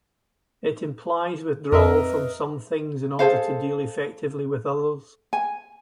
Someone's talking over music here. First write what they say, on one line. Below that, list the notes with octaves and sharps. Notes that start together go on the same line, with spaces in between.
It implies withdrawal from some things in order to deal effectively with others.
F2 A#4 B4 D#5 E5
G#4 A4 C5 F5
G#5